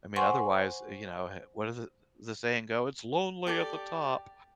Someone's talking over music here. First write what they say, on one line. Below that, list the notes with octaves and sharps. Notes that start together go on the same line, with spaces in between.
I mean, otherwise, you know, he what is it the saying go, "It's lonely at the top."
C5 F#5 G#5 C6 C#6
G4 A4 D5